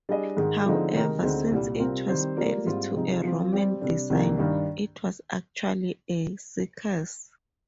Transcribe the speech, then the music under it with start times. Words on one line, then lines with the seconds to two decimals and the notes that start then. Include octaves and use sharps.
However, since it was built to a Roman design, it was actually a circus.
0.09 G3 D4 G#4 D#5
0.37 G#2 D#3 G#3
0.65 D3 F3 G#3 C4 D#4
0.94 C3 D#3 G#3 D#4 A#4
1.23 D2 D3 G#3 C4 D#4
1.52 C2 A#2 G3
1.80 C3 G3 C4 F4 A#4
2.09 D#3 G3 C4 G4 C5
2.37 G3 A#3 F4 A#4 D5
2.66 G#2 G3 C4 F4
2.95 C3 F3 G#3 D#4
3.24 F3 C4 F4
3.53 G3 C4 G4 D5
3.81 C3 G3 D4
4.10 C2 C3 D#3 A#3 D4
4.38 G2 D#3 G3 D4